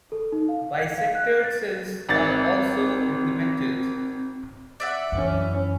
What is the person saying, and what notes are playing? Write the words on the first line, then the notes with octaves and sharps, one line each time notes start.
Bisectored cells are also implemented.
A4
D#4
F5
G#6
F5
F#6
A6
G#1 C4 A6
D5 E5 F#5
F#2 E3 C#4